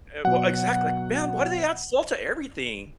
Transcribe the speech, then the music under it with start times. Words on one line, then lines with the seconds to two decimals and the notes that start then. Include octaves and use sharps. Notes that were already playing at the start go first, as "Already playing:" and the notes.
Uh, well, exact like, man, why do they add salt to everything?
0.24 B2 F#3 F#5